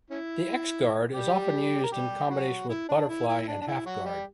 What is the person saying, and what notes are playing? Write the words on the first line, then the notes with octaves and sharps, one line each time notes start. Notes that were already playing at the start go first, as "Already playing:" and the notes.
The x-guard is often used in combination with butterfly and half guard.
C#4 E4
G3 G4
A#4
G3 G4
F#3 F#4
E4
D4
E4
E4
E4
D4
D4
E4
F#3 F#4
G3 G4